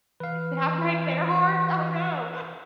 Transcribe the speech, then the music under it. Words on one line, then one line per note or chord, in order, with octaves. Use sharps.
"Did I break their hearts? Oh, no."
E3 B4 F5